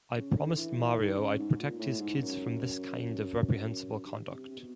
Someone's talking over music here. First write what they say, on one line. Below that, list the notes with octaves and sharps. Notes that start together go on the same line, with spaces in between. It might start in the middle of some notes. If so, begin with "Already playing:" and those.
I promised Mario I'd protect his kids from this kind of reprehensible conduct.
C#3
D3
E3
E3
D#3
C#3
G#2
A#2
A2
G#2
F#2
G2
C3
C3
B2